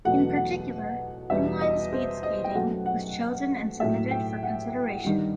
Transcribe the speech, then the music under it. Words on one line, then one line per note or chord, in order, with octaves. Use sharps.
In particular, Inline Speedskating was chosen and submitted for consideration.
E2 B2 F#3 A3 F#5
F#5
E2 B2 G3 E5
D#5
C5
D#5
G5
F#2 F#3 A3 F#5
F#5
A2 F#3 A3 E5
G5
F#5
G2 D#3 G3